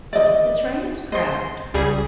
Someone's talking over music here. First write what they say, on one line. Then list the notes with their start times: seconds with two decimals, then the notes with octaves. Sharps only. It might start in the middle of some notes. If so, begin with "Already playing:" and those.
What if the train is crowded?
0.13 D5 D#5
1.12 C5 D#5 C6
1.74 C#2 G3 G#4